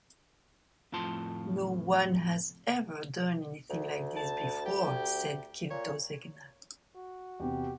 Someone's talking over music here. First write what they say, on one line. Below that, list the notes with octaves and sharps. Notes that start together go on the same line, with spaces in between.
"No one has ever done anything like this before", said Gildo Zegna.
F2 A2 F4 A5 C6
D2
A5
G4
A#2 C#5
F#4
E2 C3 G4